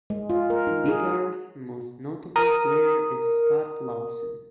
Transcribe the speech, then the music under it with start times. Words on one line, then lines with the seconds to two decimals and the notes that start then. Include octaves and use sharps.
Biggar's most notable player is Scott Lawson.
0.10 G#3
0.30 F4
0.50 A#4
0.67 D#4
0.88 G#4
2.36 A#4 D#6